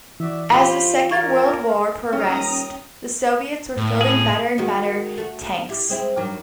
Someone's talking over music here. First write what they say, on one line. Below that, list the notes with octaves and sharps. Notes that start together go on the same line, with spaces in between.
As the Second World War progressed, the Soviets were fielding better and better tanks.
E3 F#4 D5 E5
F4 G4 C5 B5
C#4 A#4 C#6 G#6 A6
D#1 C#4 G5 A#5 D#6
A2
G#4
D#3 G#3 F#4
A3 F#4
E4 G4
G#3 C4 E4
G2 D#3 F#3